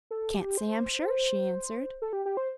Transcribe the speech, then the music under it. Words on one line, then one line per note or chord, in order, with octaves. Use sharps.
"Can't say, I'm sure," she answered.
A4
G4
C5
A4
G4
G4
C5